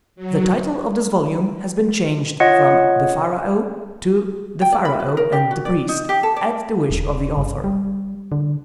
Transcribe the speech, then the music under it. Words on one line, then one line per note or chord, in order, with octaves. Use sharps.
The title of this volume has been changed from "The Pharaoh" to "The Pharaoh and the Priest," at the wish of the author.
F#3
F4 C#5 D#5 F#5
G5
D5
B5
F#4
A#4
G4
F#4
D5
D#4
G4
A4
D5
D#1
G1
G3
D3